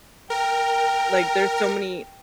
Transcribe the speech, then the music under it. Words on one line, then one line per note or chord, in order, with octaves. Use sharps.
Like there's so many
A#4 G5